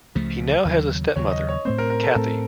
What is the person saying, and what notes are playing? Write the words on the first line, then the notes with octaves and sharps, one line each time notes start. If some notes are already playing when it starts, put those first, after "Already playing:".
He now has a stepmother, Cathy.
C#2 C#3 F3 A3
D#2 C#3 F#3
D#2 C#3 F#3 C#5
D#5
C#5
A2 A3 C4 C5
A#4
A#4
A4
A2 A3 C4